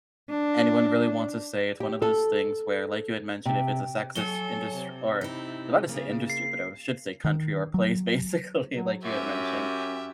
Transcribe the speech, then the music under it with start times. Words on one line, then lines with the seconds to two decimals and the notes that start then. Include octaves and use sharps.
anyone really wants to say, it's one of those things where, like you had mentioned, if it's a sexist indust or I was about to say industry, but I should say country or place, basically like you had mentioned.
0.30 D4
1.80 G4
2.02 A4
3.46 C3
4.15 F#3 A4 C#5 G#5 G7
4.75 C3
5.21 D#4 E4
5.89 C#3 A#3
6.30 C7
7.25 D#3
7.74 F#3
8.74 F#3
9.03 F#2 C#4 G4 E5